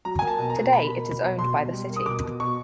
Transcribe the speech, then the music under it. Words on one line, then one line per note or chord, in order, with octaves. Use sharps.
Today it is owned by the city.
F#3 A#5
A#3 G#5
A5
B2
A#5
B2
A#3 B5
B2
B2
B2
B2 C6
B2
G3
A#3
D#6
B2 D6
B2
B2 C#6